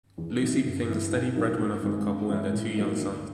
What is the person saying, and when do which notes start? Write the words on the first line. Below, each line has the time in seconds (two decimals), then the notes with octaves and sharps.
Lucy became the steady breadwinner for the couple and their two young sons.
0.18 E2
0.41 C3 D#3 F#3
0.65 G1
0.88 G2 E3
1.12 B1
1.36 A2 F#3 A#3 D#4
1.59 G2
1.82 D#3 G#3 C4
2.06 G2
2.29 E3 G#3 C#4 E4
2.53 A2
2.76 F#3 A#3 D#4
3.00 D2